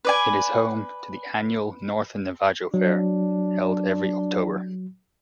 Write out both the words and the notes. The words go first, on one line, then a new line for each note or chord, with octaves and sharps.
It is home to the annual Northern Navajo Fair, held every October.
B4 D5 G#5
F#3 D4